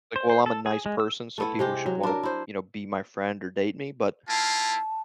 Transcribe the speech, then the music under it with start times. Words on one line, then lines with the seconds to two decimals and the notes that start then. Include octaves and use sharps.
Like, "Well, I'm a nice person, so people should wanna," you know, "be my friend or date me," but
0.16 C5
0.30 C5
0.46 A4
0.66 G#4
0.86 G#3
1.00 E6
1.38 A3 B3 E4
1.59 C3 G#3 G4
1.86 F#3
2.03 D4 A#4
2.23 E4 C5
4.28 A#3 E4 F4 A5